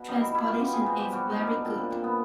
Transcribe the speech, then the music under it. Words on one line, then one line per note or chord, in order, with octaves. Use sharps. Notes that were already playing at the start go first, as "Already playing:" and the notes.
Transportation is very good.
Already playing: B2
G3 D#4
E4
G3 E4
F4
B2 G4
G#4
B2 C5
G4
G3 F#4
D#4
G3
D4
A#2 C4
C4
A#2 C4
B3